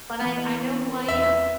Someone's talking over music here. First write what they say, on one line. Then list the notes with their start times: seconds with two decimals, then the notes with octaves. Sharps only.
but I I know who I am,
0.22 E3 B3
0.86 C4 A#4 B4
1.08 E2 E5